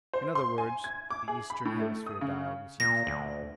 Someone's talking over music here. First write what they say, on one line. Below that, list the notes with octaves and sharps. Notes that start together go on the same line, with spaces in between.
In other words, the eastern hemisphere dial was useless.
C5
C6
G#5
G#6
D6
G#4
B5
A2
A3
D#6
C#3
A#2 A#6
D2